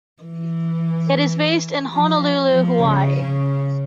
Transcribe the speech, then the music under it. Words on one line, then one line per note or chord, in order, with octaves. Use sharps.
It is based in Honolulu, Hawaii.
E3
F3
F3
C#3
C#3